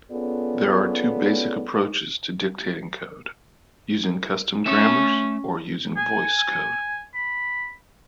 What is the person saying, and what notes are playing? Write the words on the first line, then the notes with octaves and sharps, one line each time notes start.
There are two basic approaches to dictating code: using custom grammars or using VoiceCode.
B3 C#4 F4 G#4 A4 D5
A3 C#4 E5
G#5
B5